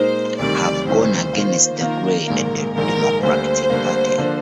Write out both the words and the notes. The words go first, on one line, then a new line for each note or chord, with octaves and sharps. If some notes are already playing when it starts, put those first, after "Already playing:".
I've gone against the grain in the Democratic party.
Already playing: A#2 G#3 D#4 A#4 C5
D2 C3 D#3 G3 D5
D2 C3 D#3 G3 C5
D#3 A#3 F4
D#3 A#3 F4 A#4
A#1 G#2 D#3 A#3
A#1 G#2 D#3 A#3 A#4
D2 D3 G3 A#3 C5
D2 D3 G3 A#3
D3 F3 A#3 D4